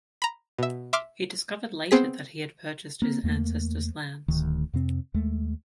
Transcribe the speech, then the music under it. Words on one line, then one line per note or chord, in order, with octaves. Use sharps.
He discovered later that he had purchased his ancestors' lands.
A#5 B5
B2 E5
E5 C6 D6 F6
B3 C4 G#4 B6
A#3 C4
E2 A3 A#3
D1 D2 D#3
F2 C3 C4
D#2 G#3 A3